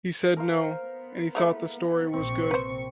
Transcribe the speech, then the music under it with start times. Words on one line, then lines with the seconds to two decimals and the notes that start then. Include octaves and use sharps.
He said no, and he thought the story was good.
0.37 A#4 C5 F5
0.82 B3
1.35 G#3 A3 E4
2.13 A#1 C3 C4 C#6
2.51 B4 C5